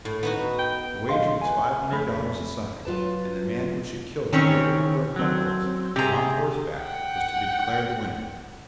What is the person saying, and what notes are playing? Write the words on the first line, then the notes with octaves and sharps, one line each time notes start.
The wager was five hundred dollars a side, and the man who should kill the greater number of buffaloes from on horseback was to be declared the winner.
A2
B3 D#4 F#4
G5
B1 F3 C#4 D#5 F5 C6
B4 G#5
F2 A3 B5
F#3 F4 B4 A5
D#3 E3 C4 C#4 C#5
F#3 C4
C3 G4 G#4 A#5
F#5 G5